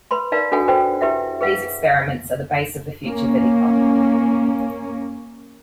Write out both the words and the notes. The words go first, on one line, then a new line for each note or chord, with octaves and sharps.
These experiments are the base of the future vidicon.
B4 B5 C6
D#4 A#4 B4 D5 F5 A#5
D4 F#4 A4 B4 F#5 G#5
F#4 A4 B4 C5 G5
E4 G4 B4 E5 F#5
G#4 B4 F5 F#5
A#3 C#4